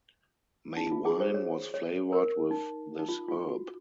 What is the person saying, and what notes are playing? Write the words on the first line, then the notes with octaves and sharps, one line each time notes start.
May wine was flavored with this herb.
D#4
F4
G#4
C5
C#5
C#5
A#4
D#4
D#4
F4
F4
F#4